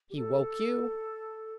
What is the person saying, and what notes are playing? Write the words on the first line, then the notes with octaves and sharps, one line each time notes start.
"He woke you?"
G4
A4